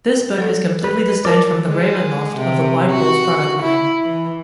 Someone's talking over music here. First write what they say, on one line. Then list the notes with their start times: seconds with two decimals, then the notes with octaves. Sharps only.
This book is completely distinct from the Ravenloft of the White Wolf product line.
0.38 F#3 A4 D5
0.84 B4
1.25 F4 A#4 C#5 D5 A5
1.69 G#3
2.38 C3
2.91 F#4
3.63 E4
4.04 E3